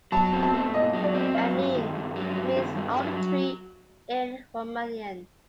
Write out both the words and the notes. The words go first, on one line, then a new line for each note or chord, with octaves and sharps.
"Anin" means "alder tree" in Romanian.
F#3 A5
C4
A5
A3
A#2 D#5
F#3
D5
C4
F#3 F5
G2
D#3
G2
F#3
G2
D#3
G2
F#3